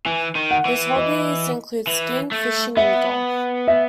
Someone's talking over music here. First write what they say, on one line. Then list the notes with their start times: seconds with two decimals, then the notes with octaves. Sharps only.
His hobbies include skiing, fishing and golf.
0.05 E3 G#5
0.35 D#3
0.51 F#5
0.65 E3
0.96 D#5
1.87 E3
2.32 A3
2.77 B3 E5
3.68 E5